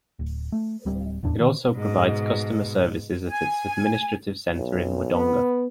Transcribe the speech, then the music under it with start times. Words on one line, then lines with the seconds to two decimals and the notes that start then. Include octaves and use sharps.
It also provides customer services at its administrative centre in Wodonga.
0.19 D1
0.52 A3
0.85 D1 G3 C4
1.23 D1 E2 A2 D4
1.40 A#2 D#3
1.76 G#2 B2
3.29 G#5
4.56 B1
5.15 B3